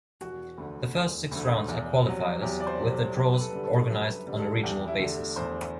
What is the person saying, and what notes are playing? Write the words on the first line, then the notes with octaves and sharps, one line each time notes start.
The first six rounds are qualifiers, with the draws organised on a regional basis.
E1 F#4
D2 D3
E1
D2 D3
E2
C3 F#3
E2 G4
D5
C5
C3 F#3
A4
F#2 G4
B4
A4
D3 G3
A4
F#2 B4
D3 G3
A4
E2 G4
E4
D3 A3
E2 C5